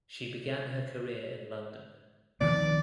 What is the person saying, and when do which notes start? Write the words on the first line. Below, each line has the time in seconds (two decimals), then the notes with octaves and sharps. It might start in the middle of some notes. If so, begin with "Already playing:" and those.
She began her career in London.
2.41 D#3 F3 B3 D5